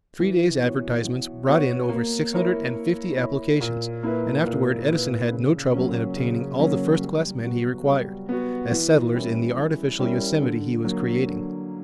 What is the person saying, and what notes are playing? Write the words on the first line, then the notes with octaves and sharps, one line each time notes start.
Three days' advertisements brought in over six hundred and fifty applications, and afterward Edison had no trouble in obtaining all the first-class men he required, as settlers in the artificial Yosemite he was creating.
E3
B3 F#4 C#5
E3
B3 F#4 C#5
A#3
E4 A#4 C#5
A#3
E4 A#4 C#5
A#2
A#3 E4 B4
A#2
A#3 E4 B4
C#3
F#3 A#3 C#4
C#3
F#3 A#3 C#4
G3
B3 F#4
G3
B3 F#4
E3
G3 C#4 E4 A#4
E3
G3 C#4 E4 A#4
D3
F#3 A#3
D3